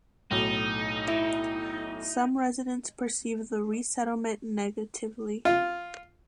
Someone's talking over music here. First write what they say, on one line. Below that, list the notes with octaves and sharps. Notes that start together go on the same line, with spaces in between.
Some residents perceived the resettlement negatively.
B1 A2 D#4
E4
F4